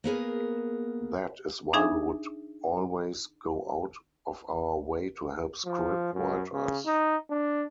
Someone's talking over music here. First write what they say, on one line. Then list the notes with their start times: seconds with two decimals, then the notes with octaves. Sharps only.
That is why we would always go out of our way to help scriptwriters.
0.04 A#3 B3 G#4 A#4
1.73 D4 D#4 G#4 E5 G#5
5.65 F3
6.13 F#2
6.53 C#3
6.86 D#4
7.30 D4